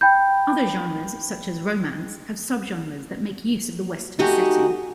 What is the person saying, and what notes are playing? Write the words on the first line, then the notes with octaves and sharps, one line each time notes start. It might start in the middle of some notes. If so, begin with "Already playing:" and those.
Other genres, such as romance, have subgenres that make use of the Western setting.
G5 B5 G6
A3 D#4 F#4 G4 G#5